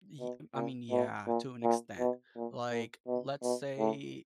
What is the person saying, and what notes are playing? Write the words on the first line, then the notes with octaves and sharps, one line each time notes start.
y I mean, yeah, to an extent, like, let's say
B2
A#2
B2
A#2
A#2
B2
A#2
A#2
B2
B2
A2